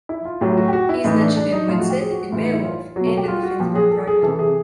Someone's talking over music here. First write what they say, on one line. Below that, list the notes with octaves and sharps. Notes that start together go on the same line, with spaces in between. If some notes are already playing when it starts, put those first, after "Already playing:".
He is mentioned in "Widsith", in "Beowulf", and in the Finnsburg Fragment.
E4
F4
A2 F#3 G4
F#4
G4
F#4
E4
A2 E3 D#4
D4
D4
D#4
A2 F3 F4
F#4
G4
G#4
F#4
F#4
A2 E3 F4
D#4
E4
F4
B2 F#3 F#4
A4
G4
F#4
F4
F#4
A#2 F3 G4
G#4
A4
G#4
C3 E3 A4
G#4